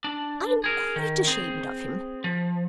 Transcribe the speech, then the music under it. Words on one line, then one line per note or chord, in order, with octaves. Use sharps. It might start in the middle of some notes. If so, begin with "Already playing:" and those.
I am quite ashamed of him.
D4
G#4 A#4
D#3
C4 G#4
F3